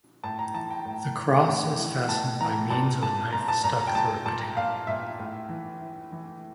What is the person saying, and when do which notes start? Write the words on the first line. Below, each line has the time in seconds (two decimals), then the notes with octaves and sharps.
The cross is fastened by means of a knife stuck through a potato.
0.24 A2 A5
0.39 A#5
0.54 E3 A5
0.70 G5
0.85 A2
1.16 A2
1.48 A2
1.78 E3
2.09 A2 A5
2.41 E3 A#5
2.70 A#2 A5
3.02 A#2 A5
3.33 A#2 A#5
3.48 A5
3.64 A#2 A#5
3.80 A#5
3.87 G5
3.95 A#2 A5
4.26 A#2 A5
4.56 A#2 F5
4.87 A#2 E5
5.19 A2
5.49 E3
5.81 E3
6.12 E3